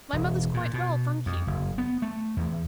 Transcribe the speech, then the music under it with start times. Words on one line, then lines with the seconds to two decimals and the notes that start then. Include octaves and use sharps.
My mother's quite well, thank you.
0.13 E1
0.54 A#2
0.74 B2
1.26 F2
1.47 F#1
1.78 B3
2.02 A3
2.37 E2